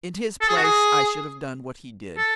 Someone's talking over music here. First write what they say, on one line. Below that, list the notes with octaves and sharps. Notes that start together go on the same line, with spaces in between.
In his place I should have done what he did.
A4
G#4
F#4
G#4
A4